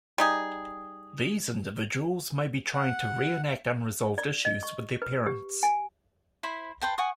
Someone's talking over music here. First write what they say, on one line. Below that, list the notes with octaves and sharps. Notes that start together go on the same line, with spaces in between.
These individuals may be trying to reenact unresolved issues with their parents.
G3 D#4 G#4
F#5
D5
D#5
C#6
B4
G4
G#5
E4 C5 B5
B4 C5 G5 A5
F#5 G#5 C#6 D#6